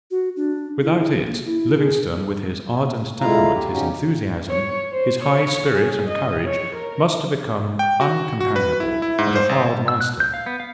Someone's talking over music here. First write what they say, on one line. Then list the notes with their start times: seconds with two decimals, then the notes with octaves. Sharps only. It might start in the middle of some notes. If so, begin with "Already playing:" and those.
Without it, Livingstone, with his ardent temperament, his enthusiasm, his high spirit and courage, must have become uncompanionable, and a hard master.
0.11 F#4
0.36 D4
0.83 E4
1.26 A#3
1.45 E4
1.75 G#4
3.21 D3 G#3 E4 F4 F5 A#5
3.53 G4
3.70 G2 C#3 C#4 D#4 F#4 G4
4.49 C#5
4.92 C5
5.23 C#5
5.71 G#4
6.09 D#5
6.46 C#5
6.76 A#4
7.79 G5
8.01 F#4
8.41 F#4
8.56 B4
8.80 E4
9.02 E4
9.18 G#2
9.35 C5
9.49 G#1
9.88 E6
10.01 F#6
10.20 G6
10.34 F5
10.46 B3
10.60 F5